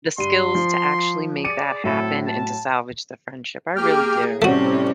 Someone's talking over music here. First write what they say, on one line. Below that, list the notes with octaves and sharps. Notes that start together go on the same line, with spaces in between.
the skills to actually make that happen and to salvage the friendship, I really do.
G2 C6 D#7
F3
G#4 D5 D6 C#7 D#7
A2 F#3 C4 E4 A4 E5
A5
A#3 G4 G#4 G5 F6
A2 C3 G3 A3 C4 C#4 F#4